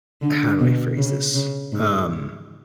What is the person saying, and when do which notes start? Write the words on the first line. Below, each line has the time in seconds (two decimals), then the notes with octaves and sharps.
How do I phrase this? Um,
0.22 D3
0.60 B2
0.97 C#3
1.34 C#3
1.72 G#2